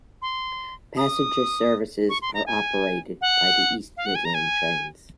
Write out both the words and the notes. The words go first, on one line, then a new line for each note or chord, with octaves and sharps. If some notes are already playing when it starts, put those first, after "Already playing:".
Passenger services are operated by East Midlands Trains.
C6
D#6
C#6
C6
A#5
G#5
F#5
F5
F#5
G#5
A#5
G#5